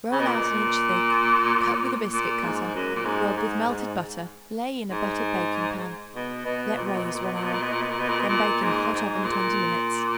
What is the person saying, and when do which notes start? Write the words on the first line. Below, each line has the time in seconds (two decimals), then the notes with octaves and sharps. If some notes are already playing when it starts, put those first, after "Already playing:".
Roll out an inch thick; cut with a biscuit-cutter; rub with melted butter; lay in a buttered baking-pan; let raise one hour; then bake in a hot oven twenty minutes.
0.12 C#3
0.20 B2
0.28 A#2
2.13 A#2
2.43 G#2
2.75 F#2
2.96 A#2
3.05 G#2
3.37 G#2
3.68 G#2
4.91 G#2
6.15 B2
6.45 B2
6.77 A#2
6.87 B2
6.97 A#2
7.06 B2
7.15 A#2
7.25 B2
7.34 A#2
7.44 B2
7.54 A#2
7.62 B2
7.72 A#2
7.82 B2
7.91 A#2
8.00 B2
8.09 A#2
8.20 B2
8.29 A#2
8.62 G#2
8.94 G#2
9.24 A#2